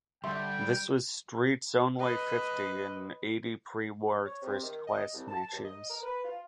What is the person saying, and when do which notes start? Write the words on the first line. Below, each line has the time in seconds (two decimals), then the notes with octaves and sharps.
This was Street's only fifty in eighty pre-war first-class matches.
0.24 D3 G3 E5 G5 C6
2.00 B4 D#5
4.26 C#5
4.42 C3
4.63 D#3
4.88 D#5
5.14 C2
5.28 A5
5.53 D#2
5.65 D#5
5.90 A#4
6.03 B4
6.25 F4